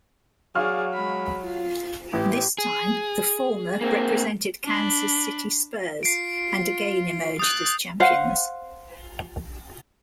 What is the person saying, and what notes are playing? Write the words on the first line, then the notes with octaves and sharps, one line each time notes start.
This time the former represented Kansas City Spurs and again emerged as champions.
F#3 G#4 D5 F5 C#6 F6
G#3 B5
F4
A1 E3 G4
G#4
A#3 C4
D4 B5
F4 C7 D7
D#6 F#6 G6 A6
C5 F5 F#5